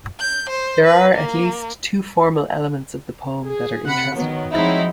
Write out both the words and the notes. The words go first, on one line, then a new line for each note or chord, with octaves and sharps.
There are at least two formal elements of the poem that are interesting.
G6
C5
B4
A#3
G#4
C3 F#5 B5 C#7
D#3 F#3 B3
F3 F#3 G#3 C4 D#4 E4